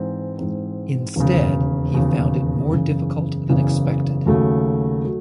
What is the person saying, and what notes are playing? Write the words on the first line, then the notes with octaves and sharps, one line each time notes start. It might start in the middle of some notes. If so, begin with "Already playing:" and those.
Instead, he found it more difficult than expected.
Already playing: G#2 E3 C4
G#2 E3 C4
E1 D#2 C#3
E1 D#2 C#3
F#1 E2 C#3
F#1 E2 C#3
D#2 C#3 F#3 A3
F#3 A3